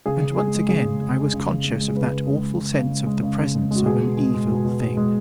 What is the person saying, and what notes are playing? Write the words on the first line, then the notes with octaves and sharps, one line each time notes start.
And once again I was conscious of that awful sense of the presence of an evil thing.
C#3 G#4
C#3
G#3 G#4
G#3
C#3 G#4
C#3
G#3
G#3
C#3
C#3
G#3
G#3
G#4
C#3 B4
C#3
G#3
G#3
C#3
C#3
G#3
G#3
C#3
C#3
G#3
G#3 F#4
B2 G#4
B2
G#3
G#3
B2
B2
G#3
G#3